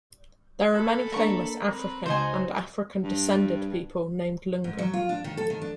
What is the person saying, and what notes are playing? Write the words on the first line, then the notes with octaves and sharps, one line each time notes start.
There are many famous African and African-descended people named Ilunga.
A4 G#5 B5 E6 F#6
A#3 D4 A#4 C#6
C4 B4 A#5
C#2 D#4 F#4 C5 D#5 G#5
G2
G#2
F#3
F4
D4
D#3
A4
D#3
D4